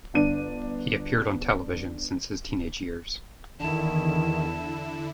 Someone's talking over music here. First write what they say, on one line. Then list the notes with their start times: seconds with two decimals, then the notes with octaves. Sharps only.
He appeared on television since his teenage years.
0.14 G1 D4 D#7
3.60 E2 D3 D#3 E4 A5